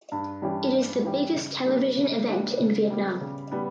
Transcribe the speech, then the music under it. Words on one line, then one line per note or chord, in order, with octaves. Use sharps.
It is the biggest television event in Vietnam.
G2
E3 G3 C#4 G4
G2
E3 G3 C#4 G4
C#3
G3 A#3 D4
C#3
G3 A#3 D4
C#3
G3 B3
C#3
G3 B3